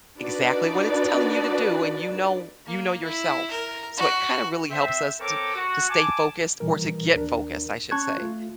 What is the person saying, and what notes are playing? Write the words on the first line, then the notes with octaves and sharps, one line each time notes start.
exactly what it's telling you to do, and you know you know yourself. So it kind of really helps us to to stay focused or to get focused, I should say,
D4 D#4 F#4 A#4 B4 D5
A#3
E4
A#4
F#4
C4 C5 E5
C4 A4 A#4 C#5 D6
F#4
G#5 A5 D6
A#2 E3 G3 A#4
D#2 D4 A#4
C#4 A5 C#6 F#6 G#6
A3 F4